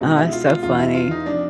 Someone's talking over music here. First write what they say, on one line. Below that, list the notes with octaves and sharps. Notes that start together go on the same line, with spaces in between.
Oh, that's so funny,
C#2 B2 G#3 D#4
E4
F4
F4
E2 C#3 E3 F4
E4
F4
D#4
C3 F3 D4